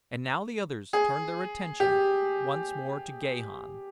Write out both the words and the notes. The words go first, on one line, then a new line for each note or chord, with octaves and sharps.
And now the others turned their attention once more to Gahan.
G#4
G4